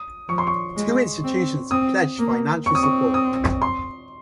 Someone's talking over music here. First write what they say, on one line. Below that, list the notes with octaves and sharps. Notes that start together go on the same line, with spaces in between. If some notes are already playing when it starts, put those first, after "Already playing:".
Two institutions have pledged financial support.
Already playing: D#6
F3 C#6
C6
C#6
G#3
C4
C4 D#6
A#3
C4 C#6
D#6
C#6
D#6
C6